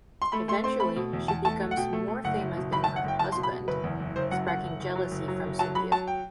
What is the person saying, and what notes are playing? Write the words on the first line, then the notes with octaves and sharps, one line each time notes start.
Eventually, she becomes more famous than her husband, sparking jealousy from Subir.
C6
A3 B5
A3 C6
C4 C6
A3 B5
B2
E2
E2 A5
A3 A5
A3
F#5
B2 G5
A3
A3
F#1 F#5
F#1
B2
F#1 B5
A5
F#1
F#5
F#1 G5
F#1 A5
C6
B2
B5
B2
F#1 B4
E2
F#1
F#1 C5
F#2 F#5
F#1 F#5
F#1
F#1
F#3
F#1
F#3
F#1
F#3 A5
F#3 B5
F#3 A5
G5